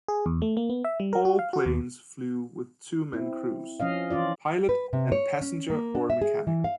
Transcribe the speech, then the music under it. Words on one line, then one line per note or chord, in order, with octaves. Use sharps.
All planes flew with two-men crews, pilot and passenger or mechanic.
G#4
E2
A3
A#3
B3
E5
G3
A#4
F#4
F5
F#4
D#2
C4 E4
F3 C#4 D#5 F5
E3 C#4 F4 D5
B4
C3
C#5
C#4
A#3
D4
E5
G#4
E3
F5